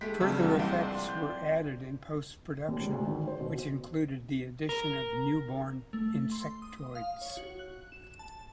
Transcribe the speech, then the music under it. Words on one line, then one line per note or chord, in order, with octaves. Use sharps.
Further effects were added in post-production, which included the addition of newborn Insectoids.
G#3 A3 G4 B6
G2 C#3 F#3 C4 D4 E5
E2 G2 F3
C2 F3 G#3 C4 D#5 G5 C6
D5 C6
G6
D#2
C#2
D2
D#3
C5
B2
A#4
A3
C6
D#6
F5
C#5
F#4
F#6
E7
A5